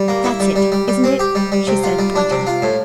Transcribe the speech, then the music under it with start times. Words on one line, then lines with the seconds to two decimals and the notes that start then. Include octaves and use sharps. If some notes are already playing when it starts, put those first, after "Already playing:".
"That's it, isn't it?" she said, pointing.
Already playing: G3
0.08 A#3
0.24 E4
0.40 G3
0.56 G3
0.72 G3
0.88 G3
1.04 C4
1.19 G4
1.35 G3
1.52 G3
1.67 C3
1.84 F4
1.99 G3
2.16 D4
2.31 C3
2.47 F4
2.62 A2